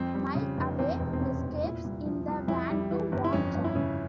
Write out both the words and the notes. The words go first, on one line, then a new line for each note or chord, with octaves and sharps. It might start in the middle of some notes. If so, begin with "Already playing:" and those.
Mile-Away escapes in the van to warn Jake.
Already playing: F2 C4
G3
C#3
F1
E2 C4
E1
C4
C3 C#4
E1
A#2 E4
C2
F3
C2
F2 E4
G3
E3
G1
E4
F2 C#4
G1
E4
C#3 C#4